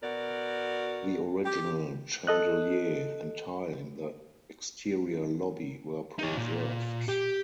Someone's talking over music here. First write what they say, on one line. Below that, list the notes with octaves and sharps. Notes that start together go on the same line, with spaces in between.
The original chandelier and tile in the exterior lobby were preserved.
B2 F#4 A#4 D5
G4
A4 D#5 F#6
D#4 C#5
A#2
G4